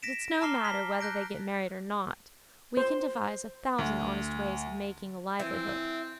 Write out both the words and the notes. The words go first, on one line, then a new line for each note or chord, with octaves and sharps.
But it's no matter whether they get married or not: we can devise a thousand honest ways of making a livelihood.
A#6 B6 D7 E7
A5 A#5 D6 F6 C7 G7
B6
F#6 G6 A#6 D7
C5
D2
E3 C4